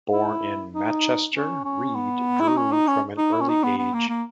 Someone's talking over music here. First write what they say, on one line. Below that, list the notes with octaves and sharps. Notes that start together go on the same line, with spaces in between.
Born in Machester, Reid drew from an early age.
E4
D#4
C#4
C#4
B3
E4
D#4
C#4
D#4
C#4
D#4
E4
C#4
D#4
B3
B3
A#3
A#3